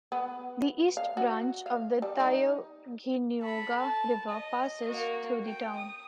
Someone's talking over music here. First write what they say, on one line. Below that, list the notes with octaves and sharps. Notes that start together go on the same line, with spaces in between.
The East Branch of the Tioughnioga River passes through the town.
B3
F5
F#4
F5
G3
D#4
A4 B5
A5
D#5
A#3 F#4
G5
D#6